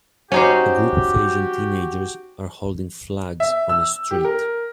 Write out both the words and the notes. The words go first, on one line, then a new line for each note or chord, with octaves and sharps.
A group of Asian teenagers are holding flags on a street.
C#4 D#4 F#4 G4 C5
E5
E6
G4
A#4